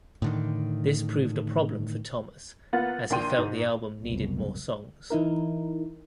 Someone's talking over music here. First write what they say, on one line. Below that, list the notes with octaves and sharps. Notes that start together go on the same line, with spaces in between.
This proved a problem for Thomas as he felt the album needed more songs.
A2 D3 D#3
A#3 B3 F4 F#5 A6
A#1 A#3 D4 G5 C6 D#7
G#2
F#1 C2 F#2 B2
E3 D#4 E4 A#4